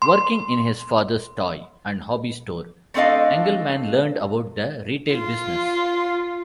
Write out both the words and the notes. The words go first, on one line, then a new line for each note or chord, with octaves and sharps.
Working in his father's toy and hobby store, Engelman learned about the retail business.
C6
A3 C4 D4 A4 D#5 F5
F4